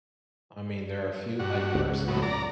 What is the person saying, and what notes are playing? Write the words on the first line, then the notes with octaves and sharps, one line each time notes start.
I mean, there are few like, personally,
G2 F#4
C#2
A2 F#3 B3
D5 A#5